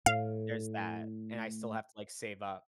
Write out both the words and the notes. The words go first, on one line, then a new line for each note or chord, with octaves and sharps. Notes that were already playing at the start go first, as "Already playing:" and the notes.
there's that, and I still have to, like, save up.
A2 F5